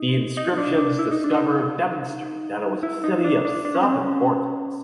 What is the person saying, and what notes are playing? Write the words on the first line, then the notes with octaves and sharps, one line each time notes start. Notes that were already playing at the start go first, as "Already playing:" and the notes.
The inscriptions discovered demonstrate that it was a city of some importance.
Already playing: D#4
D#4
D4
D4
E4
D#4
D4
D#4
E4
D#4
D4
D4
D4
C#4
C4
C#4